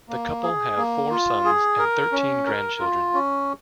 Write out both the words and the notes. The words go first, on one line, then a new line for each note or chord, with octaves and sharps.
The couple have four sons and thirteen grandchildren.
A#3
G#4
A#3
F4
G#4
A#4
C#4
A#4
F4
C#4